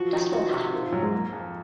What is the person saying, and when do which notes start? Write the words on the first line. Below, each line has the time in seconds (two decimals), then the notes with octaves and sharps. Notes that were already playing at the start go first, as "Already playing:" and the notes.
Dust Bowl Ha!
Already playing: F3 F#4
0.13 D#3
0.33 F#4
0.54 C3
0.73 D#3 F4
0.82 F3
0.92 G#2 F#3
1.03 G#3
1.13 A#3
1.33 F2